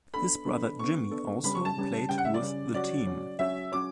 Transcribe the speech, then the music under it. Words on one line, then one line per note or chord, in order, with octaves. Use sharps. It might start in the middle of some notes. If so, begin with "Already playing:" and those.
His brother Jimmy also played with the team.
B3 D4 A4 B5
B3 D4 A4
B3 D4 A4 C#6
B3 D4 A4
C#3 G3 C#4 B5
C#6
A5
C#3 G3 C#4
C#3 G3 C#4 G5
F#5
E5
D5
C#3 G3 C#4
F#3 C#4 F#4 C#5 D5
F#3 C#4 F#4 C#5
F#3 C#4 F#4 C#5 E5
F#3 C#4 F#4 C#5 D6